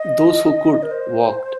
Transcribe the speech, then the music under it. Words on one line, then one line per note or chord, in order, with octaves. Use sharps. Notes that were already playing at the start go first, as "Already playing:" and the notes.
Those who could, walked.
Already playing: D#5
A#4
C5